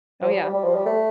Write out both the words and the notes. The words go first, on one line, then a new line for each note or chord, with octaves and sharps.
Oh, yeah.
F3
G3
G3
G3
F3
G3
A3